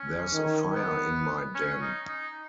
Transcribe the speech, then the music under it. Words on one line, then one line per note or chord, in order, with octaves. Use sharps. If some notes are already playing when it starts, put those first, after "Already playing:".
There's a fire in my den.
Already playing: C#4
D#3
B3
C#4
D#4
D#4